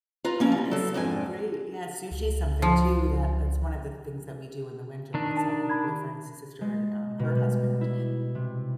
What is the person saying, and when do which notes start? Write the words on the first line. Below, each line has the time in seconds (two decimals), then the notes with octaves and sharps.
That is so great, yeah, sushi is something too that that's one of the things that we do in the winter, it's like, my boyfriend's si sister and, um, her husband,
0.25 F4 B4 A#5
0.40 A#3 C#4 E4
0.52 G3
0.71 F#3 A4
0.94 F2 G#2 D4 G#5
2.11 C#2
2.62 F3
5.14 D#3 D4
5.37 A5
5.70 B5 G#6
6.61 G#3
7.19 B2
7.35 G3
7.81 E4
8.35 C3